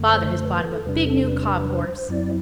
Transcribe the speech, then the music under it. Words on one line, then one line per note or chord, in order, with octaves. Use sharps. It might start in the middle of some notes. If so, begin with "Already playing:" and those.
Father has bought him a big new cob horse.
Already playing: F#2 D3 A3
C5
C5
B4
A4
E2 C3 G3 D4 B4
A4
B4
B4
C5
F#2 F#3 C4 E4 D5